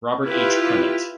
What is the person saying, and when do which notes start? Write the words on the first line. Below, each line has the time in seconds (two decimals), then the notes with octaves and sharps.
Robert H. Clement.
0.27 E4 F4 G4 B4